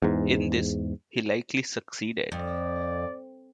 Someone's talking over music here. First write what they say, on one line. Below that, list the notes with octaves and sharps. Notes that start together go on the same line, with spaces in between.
In this he likely succeeded.
E2 G#2
F2 D5